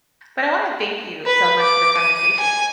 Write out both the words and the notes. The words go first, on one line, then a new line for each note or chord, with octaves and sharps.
But I wanna thank you so much for the conversation.
B4
D6
D#7
G#5